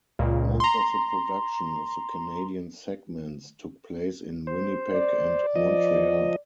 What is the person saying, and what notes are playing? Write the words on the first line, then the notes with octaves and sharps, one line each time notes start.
Most of the production of the Canadian segments took place in Winnipeg and Montreal.
C#2 A#2
A#5 C6
C5
D5
F3 D#5